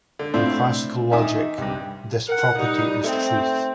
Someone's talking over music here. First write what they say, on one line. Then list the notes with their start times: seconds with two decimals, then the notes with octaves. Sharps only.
In classical logic, this property is truth.
0.19 D3
0.34 A2 C4 D4 E4 F4
1.11 D#3 D#4 E5 G#5 D6 D#6
1.58 C2 G2
2.29 A#4 F#5
2.59 G3 D#4
3.04 A3 C4